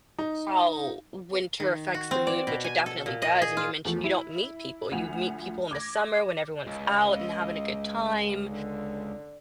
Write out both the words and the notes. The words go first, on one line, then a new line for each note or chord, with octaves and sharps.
how winter affects the mood, which it definitely does, and you mentioned you don't meet people. You meet people in the summer when everyone's out and having a good time.
D#4
D#3
F#4
C4
D5
B2
G#5
A4
A#2
D#5
G#4
F4
E2 F3 A3
E4
D2 F3 F#5 G#5 F7
D6 G#6 A#6
C#2 D#5
D3